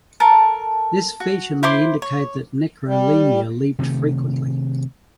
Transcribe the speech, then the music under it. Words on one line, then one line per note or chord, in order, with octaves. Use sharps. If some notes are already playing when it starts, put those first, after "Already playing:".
This feature may indicate that "Necrolemur" leaped frequently.
A4 A#4 A5
F#4
E4 C5 C6 D6
C#5
G3
C3 D#3 A3